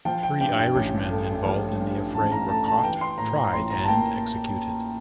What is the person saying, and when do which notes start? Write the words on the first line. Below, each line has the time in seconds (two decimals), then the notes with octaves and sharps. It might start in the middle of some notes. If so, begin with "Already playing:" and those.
Three Irishmen involved in the affray were caught, tried and executed.
0.05 F3 G5
0.23 G5
0.41 G2 G5
0.58 G5
0.75 A1
1.10 A3
1.45 F3
1.80 G2
2.14 A1 A5
2.32 A#5
2.49 A3 A5
2.66 A5
2.84 E3 G5
3.01 C6
3.18 A2 A#5
3.36 A#5
3.53 A1 C6
3.70 A#5
3.84 A5
3.88 A#3 G5